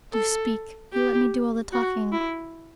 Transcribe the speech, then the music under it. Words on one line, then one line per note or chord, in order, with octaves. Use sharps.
Do speak! You let me do all the talking.
A4
G4
F#4
E4